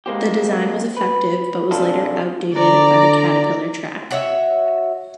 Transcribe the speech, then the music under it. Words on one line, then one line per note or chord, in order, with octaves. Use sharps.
The design was effective but was later outdated by the caterpillar track.
G#3 A#3 C4 G4
B4
C3 F3 D4 F4 G#4 A4
D3 D5 A#5
F#4 C#5 E5